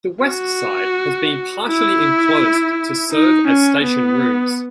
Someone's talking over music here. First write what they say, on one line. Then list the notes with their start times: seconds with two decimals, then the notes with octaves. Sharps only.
The west side has been partially enclosed to serve as station rooms.
0.25 F#4
1.68 E4
3.12 D#4
3.48 C#4
3.84 B3